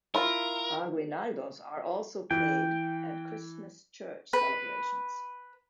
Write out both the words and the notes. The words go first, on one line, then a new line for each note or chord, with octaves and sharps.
Aguinaldos are also played at Christmas church celebrations.
E4 F4 A#4
E3 G5
B4